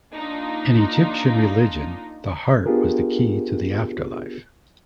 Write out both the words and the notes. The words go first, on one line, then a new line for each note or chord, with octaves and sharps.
In Egyptian religion, the heart was the key to the afterlife.
A#3 D4 D#4 F4
B3 D4 F4 G4 G#4 A#4